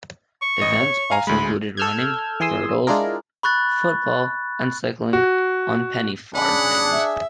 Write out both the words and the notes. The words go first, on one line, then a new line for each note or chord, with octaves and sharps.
Events also included running, hurdles, football and cycling on penny farthings.
C#6
A1 D#5
C#5
F5 G#5 A#5
D2 G#3 B5
A4 E6 F6 G6 G#6
E3 G#4 G#5 C6 D#6 E6
G#3 D4 E4 F4 G#4 A#4
B5 C#6 F#6 A6
F#4
C#4 D4 G#4 F#5 B5
E5